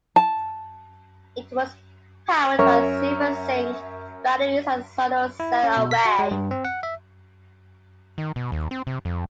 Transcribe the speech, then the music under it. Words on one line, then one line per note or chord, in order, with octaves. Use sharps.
It was powered by silver-zinc batteries and a solar cell array.
A5
F#2 A#4 C#5 E5 C#6
E4
C#4
B2
B6
F#4
G#3
G2
C4
F#5
E5
D#3
B2
D#2
C4
C3
F2